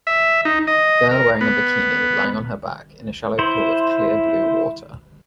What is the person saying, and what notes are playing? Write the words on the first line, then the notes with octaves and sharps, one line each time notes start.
Girl wearing a bikini lying on her back in a shallow pool of clear blue water.
E5
D#4
D#5
A#4
B3
E4 C5